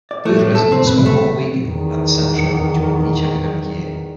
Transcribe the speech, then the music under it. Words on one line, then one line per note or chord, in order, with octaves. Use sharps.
Booth Residents spend one week at the Centro during each academic year.
D5
A3
A2
A4
C4
B4
A3
E2 D#3